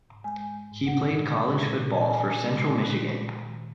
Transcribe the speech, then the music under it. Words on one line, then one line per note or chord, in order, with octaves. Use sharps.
He played college football for Central Michigan.
G#2
G#3 G#5
G#3
G#3
G#2
A#2 F#5
A#2
G#3
A#2
G#3
A#2
A#2
A#2
A#2 G#5
A#2
G#3
A#2
G#3
A#2
G#3
G#3
D#3
D#3